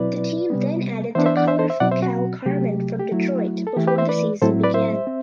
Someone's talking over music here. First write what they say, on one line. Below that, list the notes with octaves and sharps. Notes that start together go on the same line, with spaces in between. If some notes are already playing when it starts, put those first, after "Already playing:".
The team then added the colorful Cal Carmen from Detroit before the season began.
Already playing: B2 F#3 C4 E4 B4 D5
C3 G3 B3
E3 B3 D4 C5 E5
C5 E5
D5 F#5
C5 E5
A4 C5
C5 E5
B2 F#3 C4 D5 F#5
C5 E5
F#4
C3 F#3 A3 G4
G4
F#3 A3 E4 F#4
A4
E3 A3 E4 G4
G4 B4
C5 E5
B4 D5
A2 F#3 C4 E4 A4 C5
B4 D5
C5 E5
C4